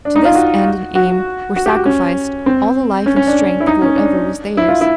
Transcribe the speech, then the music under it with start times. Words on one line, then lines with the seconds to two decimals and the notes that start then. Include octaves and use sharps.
To this end and aim were sacrificed all the life and strength of whatever was theirs.
0.05 D4
0.15 D#4
0.25 F4
0.35 F#4
0.95 F#4
1.56 F#4
1.66 G4
1.75 F#4
1.85 C#4
2.46 C4
3.06 C#4
3.16 C#4
3.27 D4
3.60 E4
3.67 D#4
3.82 C#4
3.96 D4
4.57 E4
4.69 F4
4.81 E4